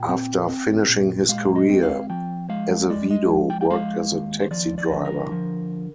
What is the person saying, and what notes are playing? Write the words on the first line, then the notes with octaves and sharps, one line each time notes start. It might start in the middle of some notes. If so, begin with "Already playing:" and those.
After finishing his career, Azevedo worked as a taxi driver.
Already playing: A#2 G5
C4
C4
A#2
G#3 F5
D#5
C4
F5
F3 G5
G#3 F5
G#3 D5
D#5
F3
G5
G5
G#3 F5
D#2
C5
F3 D5
D5
D3
A#4
F3